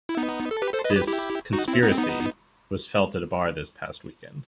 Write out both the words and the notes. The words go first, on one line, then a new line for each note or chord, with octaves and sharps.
This “conspiracy” was felt at a bar this past weekend.
E4
B3 D#4
A4
G4 B4
A4 C5
B4 D#5
G4 B4
E4 G4
D#4 F#4
C4 E4
B3 D#4
C4
B3 D#4